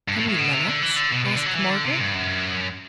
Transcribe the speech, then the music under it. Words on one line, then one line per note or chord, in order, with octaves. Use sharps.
Henry Lennox?' asked Margaret.
G2
A2
A2
B2
C3
D3
E3
D3
B2
B2
D3
F#3
E3
D3
C3
G2
F#2